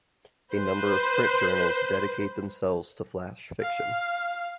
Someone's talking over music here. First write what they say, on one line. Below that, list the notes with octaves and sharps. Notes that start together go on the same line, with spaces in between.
A number of print journals dedicate themselves to flash fiction.
B4 C5
F5